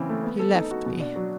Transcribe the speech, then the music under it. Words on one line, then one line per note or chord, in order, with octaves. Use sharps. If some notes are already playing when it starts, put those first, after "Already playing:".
He left me.
Already playing: C#3 E3 C4
A3
B3
A4
D#4
F#4
B2
D4
F#3